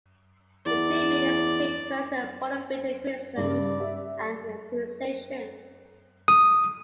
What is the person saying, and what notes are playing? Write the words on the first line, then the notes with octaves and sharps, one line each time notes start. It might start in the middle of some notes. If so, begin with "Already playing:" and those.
The two men exchanged verses full of bitter criticisms and accusations.
E2 D5
G2 C#3 D5
G4 E5
D#6